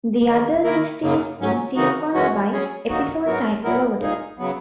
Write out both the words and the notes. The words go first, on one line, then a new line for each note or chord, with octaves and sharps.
The other list is in sequence by "episode title order".
E2 D#3 A#3
D#3 A#3 E4 A#4
F#2 C#3 F#3 A#3
G#2 F#3 C#4
C#3 E3 A#3 D#4 F#4
F#2 E3 G#3 C#4 F#4
F#3 C#4 G#4
D#3 F#3 A#3 D#4 F#4
G#2 F#3 B3 F#4 A#4
F#3 B3 E4 A#4
A#2 A#3 D#4 G#4
C#3 F#3 B3